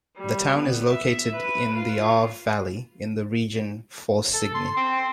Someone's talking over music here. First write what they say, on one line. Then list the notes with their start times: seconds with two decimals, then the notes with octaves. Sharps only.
The town is located in the Arve Valley, in the region Faucigny.
0.17 G3
0.54 B3
0.90 E5
1.35 B4
1.75 F4
4.34 A4
4.55 C6
4.77 C4
4.99 C6